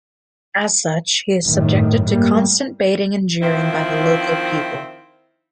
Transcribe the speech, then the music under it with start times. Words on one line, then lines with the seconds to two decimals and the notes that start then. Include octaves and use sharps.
As such, he is subjected to constant baiting and jeering by the local people.
1.44 G1 F#2 A2 D#3
2.05 A2 G3 A#3
3.42 D#3 F3 C4 E4